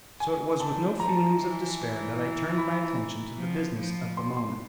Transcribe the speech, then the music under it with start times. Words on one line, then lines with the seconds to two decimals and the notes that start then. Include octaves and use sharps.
So it was with no feelings of despair that I turned my attention to the business of the moment.
0.20 G#5
0.60 D#3 A5
1.00 F3 A#5
1.08 A5
1.17 A#5
1.40 E3
2.58 B5
3.38 F3
3.78 F3
4.17 C6
4.37 C6